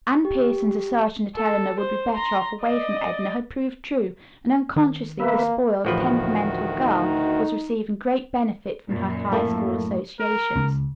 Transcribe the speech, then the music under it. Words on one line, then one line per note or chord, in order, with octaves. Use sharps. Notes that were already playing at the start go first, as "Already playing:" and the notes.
Anne Pierson's assertion that Eleanor would be better off away from Edna had proved true, and unconsciously the spoiled, temperamental girl was receiving great benefit from her High School associations.
G4
A4
C5
A#5 C6
D5 D#5
D#3
A#3 B3 B4 E5
A1 D2 D#3 F3 F#4 B4
D#4
F#2 A#2
A2 A3 A#3 A4
A#4
C#2